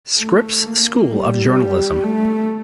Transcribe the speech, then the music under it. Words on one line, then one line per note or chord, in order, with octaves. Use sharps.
Scripps School of Journalism.
A3
A#3
G3
A3